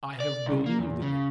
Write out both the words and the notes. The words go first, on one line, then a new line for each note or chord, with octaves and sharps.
I have believed in it.
D5
C2
A#3
E2
C#3